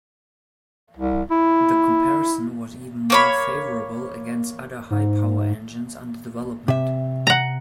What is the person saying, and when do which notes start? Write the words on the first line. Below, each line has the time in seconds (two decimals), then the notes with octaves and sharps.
The comparison was even more favourable against other high-power engines under development.
0.97 C2
1.31 E4
3.10 A#3 C#5 B5
4.90 G#2
6.68 C3 E5
7.27 F#5 A#5